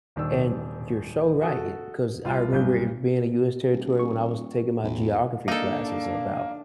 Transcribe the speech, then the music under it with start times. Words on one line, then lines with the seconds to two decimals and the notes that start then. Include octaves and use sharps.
and you're so right it 'cause I remember it being a US territory when I was taking my geography classes about
0.16 D#1 D#3 D4 E6
1.41 F#4 A4 D#6
2.25 C2 F4
2.52 B1 G2 G6
3.72 D#1
3.99 C#6
4.84 B1 E2 A2
5.48 A#3 D4 D#4 A4